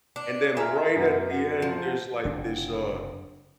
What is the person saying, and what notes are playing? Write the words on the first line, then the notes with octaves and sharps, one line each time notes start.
and then right at the end, there's, like, this, uh
D4
G#4 E5 A#5 C6 F6
F#2 B2 F#5
F#4 F#5
F3
F#1 C3 D4